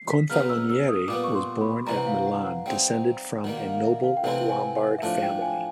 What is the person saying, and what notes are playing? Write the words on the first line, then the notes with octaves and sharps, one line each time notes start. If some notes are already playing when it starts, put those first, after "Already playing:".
Confalonieri was born at Milan, descended from a noble Lombard family.
Already playing: C7
B6
C#3 F#3 B3 D#4 F6
E6
E6
D#6
A#2 G3 B3 D6
C#6
C6
B5
C3 E3 G3 A#5
F#5
F5
F#5
F#5
G3 C4 D#4 G5
D#3 G3 A#3 F#5
F#5
F5
E5
F5
G5
C3 E3 A3 C4 E4 F#5
G#5
F#5
E5
A2 F3 A3 D4 F5
G5
G#5